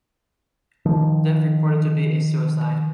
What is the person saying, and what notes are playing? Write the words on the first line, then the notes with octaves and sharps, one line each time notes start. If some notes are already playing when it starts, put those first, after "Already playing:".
The death reported to be a suicide.
D#3 F3